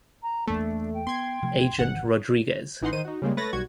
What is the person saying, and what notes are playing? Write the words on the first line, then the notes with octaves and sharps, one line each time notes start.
Agent Rodriguez.
A#5
E2 A3 A#3 D4
G5
B3 C6 G#6
C3 F3 A3
G1 D#3 E3 F#5
A1 E3 D#4 F#5 C6
D#3 D#4 C5 D#7
D#4 F#4
C#3 G3 G#3 A#3
A3 B4 C#5 A6 A#6
B1 G3 F#4 C#6 G#6